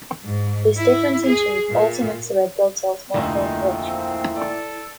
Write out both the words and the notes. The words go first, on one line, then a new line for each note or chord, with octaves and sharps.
This difference in shape also makes the red blood cells more prone to rupture.
G#2
E4
G#4
A#2
F1 D2 A#2 D#3 A3 D#4 E4
C4 E4
A4 D5